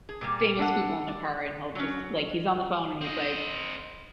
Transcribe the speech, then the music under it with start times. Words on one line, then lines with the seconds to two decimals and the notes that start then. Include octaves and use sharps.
famous people in the car, and he'll just like, he's on the phone, and he's like
0.09 G#4
0.21 A#2 G3 A#3
0.59 D4 A4 F#5
1.08 D5
1.75 F#3 C#4
3.01 C4 D#5